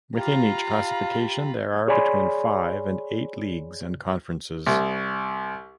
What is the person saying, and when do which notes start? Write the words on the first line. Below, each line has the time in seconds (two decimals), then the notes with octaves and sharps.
Within each classification, there are between five and eight leagues and conferences.
0.17 F4 G4 F5 A#5 B5
1.88 G#4 C#5 D5 G#5 B5 C6
4.66 C2